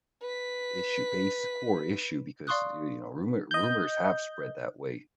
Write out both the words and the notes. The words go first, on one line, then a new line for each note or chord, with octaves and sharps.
issue base core issue because, y you know, rumor rumors have spread that way,
B4 B6
D5 F5 C6 C#6 D#6 F#6
D#5 G6